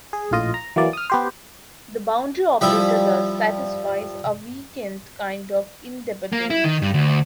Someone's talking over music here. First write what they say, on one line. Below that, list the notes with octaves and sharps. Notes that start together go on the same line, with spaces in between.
The boundary operator thus satisfies a weakened kind of idempotence.
G#4
A#1 A2 F4 D#5
A#5
E3 F#3 A#3 D5
D#6 F6
B3 G4 C5
F3 G3 E4 E5
A#3
E4
D#3
G2
D2